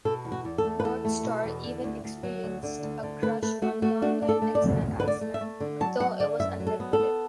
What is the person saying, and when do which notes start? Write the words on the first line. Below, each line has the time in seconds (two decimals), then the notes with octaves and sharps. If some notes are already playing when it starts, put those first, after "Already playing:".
Northstar even experienced a crush on long-time X-Man Iceman, though it was unrequited.
0.05 B2 A4
0.25 E2
0.32 F#4
0.45 E2
0.58 A4
0.65 A3
0.80 B4
0.84 E2 A4
1.05 A3
1.24 B2
1.44 E2
1.64 D3
1.84 D2
2.04 D2
2.23 F#3
2.44 D2
2.63 D3
2.83 D2
3.03 D3
3.22 A3 B4
3.42 A3 B4
3.62 A3 F#4
3.82 A3 F#4
4.02 D4 F#4
4.22 D4
4.29 A4
4.42 A3
4.55 D5
4.61 D2
4.81 D2
5.00 D3 B4
5.08 D5
5.21 A3
5.34 E5
5.41 A3
5.60 D3
5.80 F#3 A5
6.00 F#3 F#5
6.20 D3 D5
6.40 F#2 E5
6.60 F#3
6.67 A4
6.80 B3
6.93 A4
7.00 B3